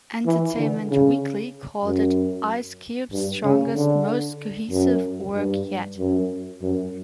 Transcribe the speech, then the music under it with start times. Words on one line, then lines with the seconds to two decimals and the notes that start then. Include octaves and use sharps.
"Entertainment Weekly" called it "Ice Cube's strongest, most cohesive work yet".
0.26 E3
0.58 D3
0.90 C#3
1.85 F#2
3.12 G2
3.44 C#3
3.75 D3
4.71 F#2
5.35 G2
5.98 F#2
6.62 F#2